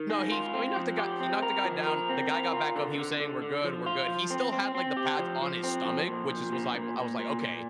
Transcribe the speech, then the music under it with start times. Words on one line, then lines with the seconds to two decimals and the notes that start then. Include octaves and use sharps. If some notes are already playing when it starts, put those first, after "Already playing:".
No he you know, he knocked the guy he knocked the guy down, the guy got back up, he was saying, "We're good, we're good." He still had, like, the pads on his stomach, which is was like well I was like, "Okay,
Already playing: D#3
0.10 G#3
0.32 F4
0.54 C4
0.76 F3
0.98 G4
1.20 C4
1.42 A#4
1.65 F3
1.87 A#4
2.09 C4
2.31 A#4
2.53 F4
2.76 D3
2.98 D3
3.20 D3
3.42 D3
3.64 F3
3.86 F4
4.08 F3
4.31 C4
4.53 C4
4.75 C4
4.97 G4
5.19 F3
5.42 F3
5.64 C4
5.85 F3
6.08 A#2
6.30 F3
6.52 A#2
6.75 A#2
6.97 A#2
7.19 A#2
7.41 A#2